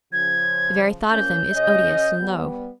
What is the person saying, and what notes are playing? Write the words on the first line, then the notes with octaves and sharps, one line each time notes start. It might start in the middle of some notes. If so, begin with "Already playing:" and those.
The very thought of them is odious and low.
C#3 F3 G#6
F3 A#3 C#4 G6
C#3 C#4 D#5
G3 B3